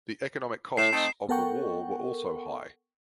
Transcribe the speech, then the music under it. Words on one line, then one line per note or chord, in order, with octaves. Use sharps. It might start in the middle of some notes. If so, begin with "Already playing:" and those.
The economic costs of the war were also high.
A2 C7 E7
A3 C4 D#4
B3 A4 A#4 F#5 G5 C#6